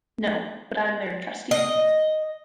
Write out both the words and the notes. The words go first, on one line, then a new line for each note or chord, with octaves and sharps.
No, but I'm their trustee.
D#5